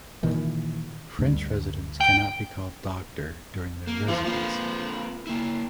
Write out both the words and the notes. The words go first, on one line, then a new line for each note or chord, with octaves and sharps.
French Residents cannot be called "Doctor" during their residency.
A#2 D#3 E3
D2 G2
G5
A#3
E3 F3 D#4 F4
A#3 C4 B4
A#3 E4